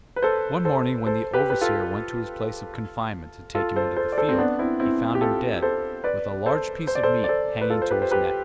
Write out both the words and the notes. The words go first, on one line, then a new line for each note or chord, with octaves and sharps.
One morning when the overseer went to his place of confinement to take him into the field, he found him dead, with a large piece of meat hanging to his neck.
B4
A4 C5
A4 C5
A4 C5
G4 B4
B4
F4 A4
F4 A4
A4 C5
A4 C5
D5
A4 C5
C4
B3 D4
C4 E4
C4 E4
G4
F4 A4
A4 C5
B4 D5
A4 C5
C5
D5
A4 C5
D5
A4 C5
B4
F4 A4
C5
G4 B4
C5
G4 B4